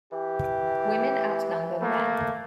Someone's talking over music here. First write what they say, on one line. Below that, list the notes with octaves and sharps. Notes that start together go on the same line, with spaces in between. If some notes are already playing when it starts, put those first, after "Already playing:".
Women outnumber men.
E3 G4
A3 A#3